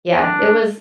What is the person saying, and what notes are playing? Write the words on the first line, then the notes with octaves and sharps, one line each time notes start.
Yeah, it was
D4